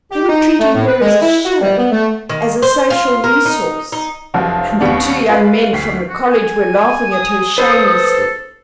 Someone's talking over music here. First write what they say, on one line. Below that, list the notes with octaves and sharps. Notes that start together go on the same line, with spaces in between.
They were treating her as a show, as a social resource, and the two young men from the College were laughing at her shamelessly.
G4
D#4
A3
A2
B4
G#3
E4
F#4
G3
B3
A3
D#3
C5
F4
A#4
D#4
D#4
F1 F3 F#3
D#2 C3 G3 B3 D4
F4 B4
D2 B6 C7
F#4
G#5
D#6
A4 B4 C5